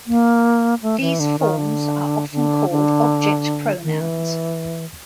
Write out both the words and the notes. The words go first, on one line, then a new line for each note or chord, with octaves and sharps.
These forms are often called object pronouns.
A#3
A3
E3
D3
D#3
D3
D3
D3
D#3
E3